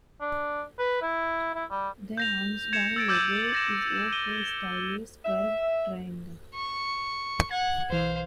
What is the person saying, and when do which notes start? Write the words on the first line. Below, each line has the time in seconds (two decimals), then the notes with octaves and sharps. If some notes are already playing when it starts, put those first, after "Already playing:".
The Hounsdown logo is of a stylised, curved triangle.
0.21 D4
0.79 B4
1.02 E4
1.55 E4
1.71 G3
2.17 G6 A#6 F7
2.73 G#6 C#7 E7
2.96 E6 A6 D7
3.08 D6 E6 G6 A6 D#7 F#7
3.53 G6 A#6 E7
4.12 D#7 G7
5.25 E5
6.55 C#6
7.51 F#5 G#6
7.90 B1 E3 C5 F5